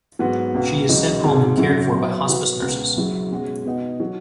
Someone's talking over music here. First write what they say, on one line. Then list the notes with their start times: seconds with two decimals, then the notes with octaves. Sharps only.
She is sent home and cared for by hospice nurses.
0.19 G#2 F#3 B3 F#4
0.54 C#2 B2 B3 F#4
0.89 C#2 C#3 F#3 D#4
1.23 G#1 G#2 G#3
1.57 F#2 F#3 C#4 F#4
1.93 F#2 F#3 B3
2.27 B2 F#3 B3 F#4
2.62 C#2 B2 B3 F#4
2.96 F#1 F#2 C#3 F#3
3.31 B2 G#3 C#4 F#4
3.65 B2 B3 D#4 F#4
4.00 F#3